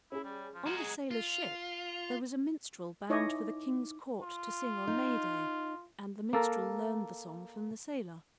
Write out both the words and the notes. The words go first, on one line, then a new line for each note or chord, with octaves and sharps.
On the sailor's ship there was a minstrel bound for the king's court to sing on May Day; and the minstrel learned the song from the sailor.
C#4 E4 G#4
G3
F3
G#3 F#4 A#5
G#4
F4
D#4 E4 C#5 D#5 D6
F4
D#4
A#3 A4 A#4